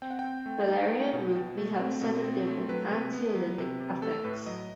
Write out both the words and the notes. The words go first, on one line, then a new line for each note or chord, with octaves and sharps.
Valerian root may have sedative and anxiolytic effects.
C4 G5
F#5
G5
C4
A3
D#4
D#4
B2
B2
A3
C4
B2
C4
A3
F#3 B4
C3
B3
F#3
C3
C3
A3 A4
A2 B4
F#3 D#5